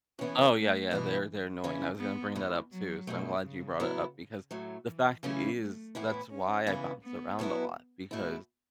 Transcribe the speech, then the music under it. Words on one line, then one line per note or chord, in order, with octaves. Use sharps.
Oh, yeah, yeah, they're they're annoying. I was gonna bring that up too, so I'm glad you brought it up because the fact i is that's why I bounce around a lot, because
A2 E3 B3 C#4 E4
A3
B2 E3 B3 E4
C#3 E3 C#4 E4
B3
E2 E3 A3
F#3
E2 B2 A3
C#3
A2 F#3 B3 E4
A2 F#3 A3
E3
C#3 E3 F#3 A3 C#4 E4
A3
A2 E3 B3 E4
C#4
C#3 E3 B3 E4
B3
B2 F#3 B3 E4
B2 A3 E4